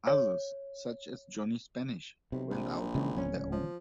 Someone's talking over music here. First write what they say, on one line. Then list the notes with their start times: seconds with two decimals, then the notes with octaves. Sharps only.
Others, such as Johnny Spanish, went out on their own.
0.07 C#5
2.32 B1 C3
2.51 A#1
2.95 C#3 E3 G#3
3.16 D1 C#2 C#4
3.52 F3